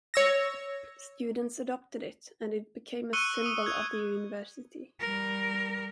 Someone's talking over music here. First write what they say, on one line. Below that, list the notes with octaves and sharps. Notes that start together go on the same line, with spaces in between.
Students adopted it, and it became a symbol of the university.
C#5 E6 A#6
C#6 E6 F#6 C#7 D#7 G7
D#6
G#6
G3 A#4